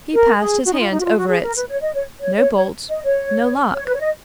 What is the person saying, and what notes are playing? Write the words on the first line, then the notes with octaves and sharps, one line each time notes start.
He passed his hand over it: no bolt, no lock!
A#4
G#4
F#4
D#4
F4
D#4
F#4
F4
F#4
G#4
A#4
B4
C#5
D#5
C#5
C#5
C#5
C#5
D#5
C#5
C#5
B4
C#5
D#5